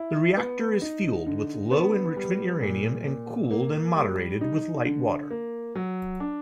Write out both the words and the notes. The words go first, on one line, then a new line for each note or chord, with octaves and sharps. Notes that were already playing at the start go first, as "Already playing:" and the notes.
The reactor is fuelled with low-enrichment uranium and cooled and moderated with light water.
Already playing: E4
B3
D#4
D3
B3
G3
A#2
A#2
A#3
G3
D#4
D3
A#3
F#3
D4